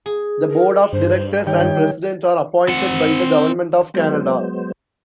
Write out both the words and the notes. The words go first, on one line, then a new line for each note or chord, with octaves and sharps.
The board of directors and president are appointed by the Government of Canada.
G#4
A#4
G2 C5
D#3 G3 C#5 G5
C4 F#5
F#3 G#3 B3 C5